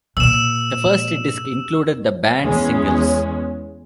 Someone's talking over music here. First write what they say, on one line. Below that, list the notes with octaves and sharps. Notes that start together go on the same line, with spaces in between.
The first disc included the band' singles.
A#2 E6 E7
E2 G#3 C#4